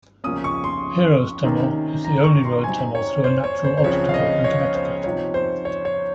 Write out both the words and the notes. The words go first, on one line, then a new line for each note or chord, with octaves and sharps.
Heroes Tunnel is the only road tunnel through a natural obstacle in Connecticut.
C#2 C3 F3 A#3 C#4 D#6
C#6
C6
C3 D#3 A#3 C#4
A#5
C#6
C6
C3 F#3 C4 D#4 G#5
C#5
C5
C#5
C5
C5
C#2 C#3 F3 C4 C#5
F5
D#5
C#5
C5
C3 F3 C4 D#4 C#5
C5
C#5
C#5